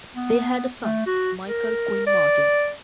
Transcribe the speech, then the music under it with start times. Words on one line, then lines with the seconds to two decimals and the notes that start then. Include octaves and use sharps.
They had a son, Michael Quinn Martin.
0.15 B3
0.82 A3
1.06 F#4
1.47 A#4
2.07 D5